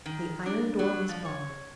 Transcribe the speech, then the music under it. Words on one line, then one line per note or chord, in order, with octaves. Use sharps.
The iron door was barred.
D#3
D4
F#3
F3
C#5